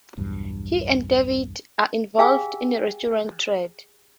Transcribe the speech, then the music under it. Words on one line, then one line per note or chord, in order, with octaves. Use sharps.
He and David are involved in the restaurant trade.
B1 E2 G2 F#3
G4 G#4 F5 G5 G#5 E6